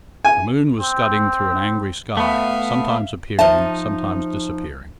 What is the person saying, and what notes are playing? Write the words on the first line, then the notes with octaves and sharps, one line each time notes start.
The moon was scudding through an angry sky, sometimes appearing, sometimes disappearing.
G#5
C4
A3 B3 E5 F5
F3 D#4 E5 A5